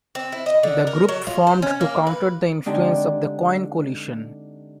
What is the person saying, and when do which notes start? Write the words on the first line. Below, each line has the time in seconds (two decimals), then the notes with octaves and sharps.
The group formed to counter the influence of the Coin Coalition.
0.15 C4
0.32 E4
0.46 D#5
0.63 D3
0.87 A#4
1.09 F#3
1.27 F4
1.47 C5
1.62 C#4
1.81 A#3
2.07 B4
2.66 D3 G#3 C4 D4 D#4 G4